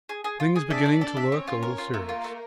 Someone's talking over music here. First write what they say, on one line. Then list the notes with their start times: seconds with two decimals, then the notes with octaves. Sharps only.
Things beginning to look a little serious.
0.09 G#4
0.24 G#4
0.40 F4
0.56 G#4
0.70 D4 D5 E5
0.86 E5
1.01 D4 A4 D5
1.17 E5
1.32 C4 C#4 C#5
1.47 F4
1.63 A#4
1.78 F4
1.94 A3 A#3 A#4
2.09 F4
2.24 A3